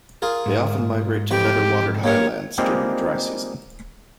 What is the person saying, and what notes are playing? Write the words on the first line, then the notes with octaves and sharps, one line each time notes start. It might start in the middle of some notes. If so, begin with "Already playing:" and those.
They often migrate to better watered highlands during the dry season.
F4 G#4 A#4
G#2
F2 E3 G4 C#6
A#3 G4 A#4 C#5
G3 G#3 A#3 C4 D#4 F4